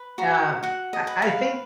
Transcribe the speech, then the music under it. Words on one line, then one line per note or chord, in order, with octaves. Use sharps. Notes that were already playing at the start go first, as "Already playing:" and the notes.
Um, I I think
Already playing: B4
F#4 A#5
F#4 F#5
D#5
B4
F5